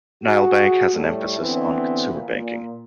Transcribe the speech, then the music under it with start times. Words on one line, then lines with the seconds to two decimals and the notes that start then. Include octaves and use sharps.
Nile Bank has an emphasis on consumer banking.
0.24 F#4 G#4
0.93 A2 G3 A3
1.41 D3 E3 B3 C4
2.13 A#2